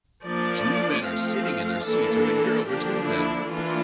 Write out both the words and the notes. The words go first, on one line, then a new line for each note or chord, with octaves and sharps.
Two men are sitting in their seats with a girl between them.
F3 A#3 D4 D5
F3 A3 C4 F5
E3 A#3 D4 A4
D3 F3 A#3 D4 G4
E4
E3 A#3 D4 F4